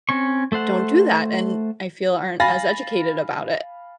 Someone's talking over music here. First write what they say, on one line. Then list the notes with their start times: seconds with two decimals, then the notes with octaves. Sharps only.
don't do that, and I feel aren't as educated about it.
0.09 C4 C#4 C#6
0.52 A3 A4 C5 F#5
2.40 F5 G#5 B5 A6 A#6